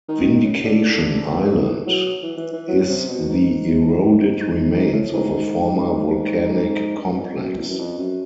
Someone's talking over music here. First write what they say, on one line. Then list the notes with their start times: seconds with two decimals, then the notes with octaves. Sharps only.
Vindication Island is the eroded remains of a former volcanic complex.
0.09 D#3
0.24 D#3
0.44 C#3
0.65 D3
1.46 D#3
1.66 E3
1.87 F#3
2.23 E3
2.37 E3
2.53 E3
2.68 F#3
2.89 C3
3.09 B2
3.29 G#2
4.52 G#2
4.72 G#2
4.93 A2
5.13 G#2
6.97 G2
7.17 F2
7.37 F#2
7.58 E2
7.69 F#2
7.78 F2
7.98 F#2